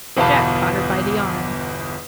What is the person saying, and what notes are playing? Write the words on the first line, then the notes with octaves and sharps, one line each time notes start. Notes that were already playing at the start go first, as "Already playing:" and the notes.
Jack caught her by the arm.
G1 E2 B2 F5 A5 B5